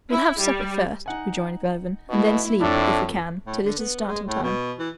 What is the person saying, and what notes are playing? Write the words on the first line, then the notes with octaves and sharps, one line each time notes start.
"We'll have supper first," rejoined Glenarvan, "and then sleep, if we can, till it is starting time."
E4
G3
D#4 F#5 G#5
B2 A3 E4
F2 A2 D4 E4 A4
A2
D3
B3
G#3
A2
B2
E3